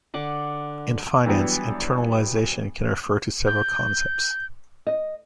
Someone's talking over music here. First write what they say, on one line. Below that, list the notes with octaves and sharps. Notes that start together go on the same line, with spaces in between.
In finance, internalization can refer to several concepts.
D3 F#5 D6
E3 F#3 G3 B3 D4
G6
D#5